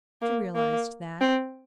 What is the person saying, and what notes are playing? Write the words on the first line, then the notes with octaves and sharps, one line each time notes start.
She realized that.
A#3
A#3
C4